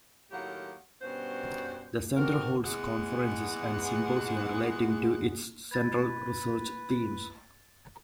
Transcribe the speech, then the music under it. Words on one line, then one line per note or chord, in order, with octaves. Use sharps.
The Centre holds conferences and symposia relating to its central research themes.
A2 D#3 F#3 A#3 G4 F#5
G2 B2 C#4 F#4 C5
C4 D4 F#4 A#4
E2 G#3 B3 F#5
B4 G#6 A6